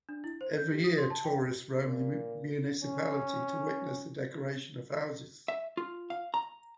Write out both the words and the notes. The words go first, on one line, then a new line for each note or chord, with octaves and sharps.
Every year, tourists roam the municipality to witness the decoration of houses.
D4
E4
C5
G6
G4
D#6
C6
A5
G5
A#2
C#4
E5
F4
F5
A#5